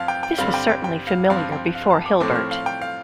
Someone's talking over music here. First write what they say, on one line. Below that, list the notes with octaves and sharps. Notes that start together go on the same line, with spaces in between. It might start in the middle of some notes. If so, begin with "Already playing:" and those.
This was certainly familiar before Hilbert.
Already playing: F2 F3 C4 F5 A5
G5
G5
G2 D3 G3 C4 F5
G5
G5
G5
F5
G2 F3 C4 F5
G5
F5
A5
D6
A2 F3 A3 C4 D6
F6
F5
G5
F5